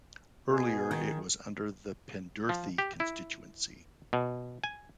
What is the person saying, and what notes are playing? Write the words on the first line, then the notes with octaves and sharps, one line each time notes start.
Earlier it was under the Pendurthi constituency.
B2 G#4
D#3
F3
G4
E4
B2
G#5